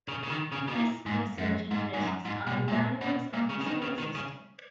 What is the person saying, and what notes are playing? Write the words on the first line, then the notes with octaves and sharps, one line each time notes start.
His research interests are the dynamics of the Solar System.
C#3
C#3
D#3
C#3
B2
A#2
G#2
F#2
G#2
G#2
F#2
G#2
B2
A#2
B2
A#2
C#3
C#3
D#3
C#3
D#3
C#3